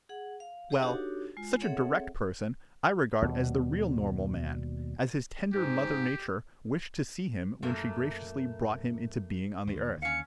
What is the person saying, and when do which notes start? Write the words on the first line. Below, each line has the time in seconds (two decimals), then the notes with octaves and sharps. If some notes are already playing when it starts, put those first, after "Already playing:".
Well, such a direct person I regard as the real normal man, as his tender mother nature wished to see him when she graciously brought him into being on the earth.
0.09 G#4 F#5
0.40 F5
0.70 G4 G#4 C5 D#5 F5 F#5
0.82 D4 D#4 F#4 G4 A4 C#5
1.37 G#3 F4
1.61 C4 G#4 A4 C#5 E5 F#5
3.22 D#2 B2 G3
5.52 G#2 G4
7.62 F#2 A#2 A3 A#3
9.67 D#2 D3
10.02 C#4 F5 C#7